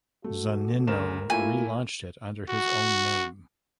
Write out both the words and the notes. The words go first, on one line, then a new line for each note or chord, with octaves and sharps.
Zunino relaunched it under his own name.
A3 F#4
D2 C#3 A#4 E7
A3 A#3 E4 F4 G#5
F#4